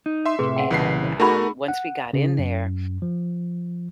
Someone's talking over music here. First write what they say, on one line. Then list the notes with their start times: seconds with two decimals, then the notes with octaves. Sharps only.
and, um, once we got in there,
0.06 D#4
0.26 E5 C6
0.39 A2 C3 G#4 B4
0.56 F#5 G5
0.71 C2 A#2 C#3 E3 B4 C7
1.20 A3 D#4 F#4 G#4 A#4 B5
1.68 F#5
2.13 C#3
2.39 F#2
3.02 F3